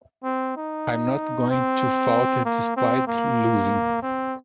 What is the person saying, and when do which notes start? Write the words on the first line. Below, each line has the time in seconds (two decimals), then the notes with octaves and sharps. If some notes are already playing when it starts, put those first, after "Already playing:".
I'm not going to falter despite losing.
0.24 C4
0.56 D#4
1.50 C4
2.45 A#3
2.76 C4
3.07 A#3
4.02 C4